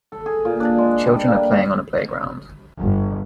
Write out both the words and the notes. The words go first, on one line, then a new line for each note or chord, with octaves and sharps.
Children are playing on a playground.
A4
G#4
A#2
D4
G#3
G3
A#3
G1